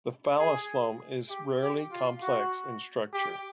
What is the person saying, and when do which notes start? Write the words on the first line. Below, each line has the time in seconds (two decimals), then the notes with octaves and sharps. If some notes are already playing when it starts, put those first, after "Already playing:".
The phallosome is rarely complex in structure.
0.39 G#4
1.30 G4
1.61 G4
1.92 F4
2.22 F#4
3.13 G4